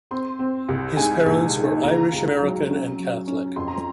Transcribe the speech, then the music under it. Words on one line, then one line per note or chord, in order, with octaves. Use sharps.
His parents were Irish American and Catholic.
C4 C6
C4
C2
G#2 G#5
A#1
D#3
C#2 A#5
C#2
F#3
C#4
F#3
C#4
F2 C6
A#5